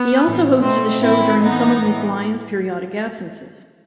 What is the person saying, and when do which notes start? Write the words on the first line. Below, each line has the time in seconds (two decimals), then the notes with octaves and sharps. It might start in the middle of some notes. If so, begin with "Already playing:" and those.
He also hosted the show during some of Ms. Lyons' periodic absences.
Already playing: B3
0.24 A2 E3
0.62 B2 A3 C4
1.02 A2 E3 C4 E4
1.41 A2 E3 B3 D#4
1.82 A2 E3